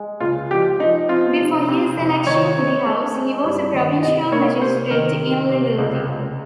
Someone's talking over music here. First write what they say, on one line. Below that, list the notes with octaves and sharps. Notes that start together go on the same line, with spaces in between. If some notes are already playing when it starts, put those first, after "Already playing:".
Before his election to the House, he was a provincial magistrate in Lillooet.
Already playing: G#3
C#2 F4
F3 G4
F3 D#4
C4 F4
C3
C3
F2
D#3 C#5
C4
G#3
C4
G2
D#3
C3 D#5
A#3 C#5
C3 C5
D#3 A#4
C3
C3
C#2
C#2